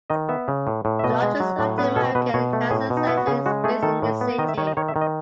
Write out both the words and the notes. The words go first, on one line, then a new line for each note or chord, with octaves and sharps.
The largest Latin American cancer center is based in this city.
D#3 D#5
B3 E5
C#3
A2
A2
E5
B2 D#5
G#3
F#3
A2
B3 B4
B2 A4
B2 B4
B2 C#5
A3
A2 G#4
B2
D#4
B3 E4
F#4
C#3 G#4
G#3 F#4
A3 G#4
D#3 A4
A2
B3
D#3 D#5
E5
D#3 C#5
D#5
D#3 C#5
E5
D#3
D#5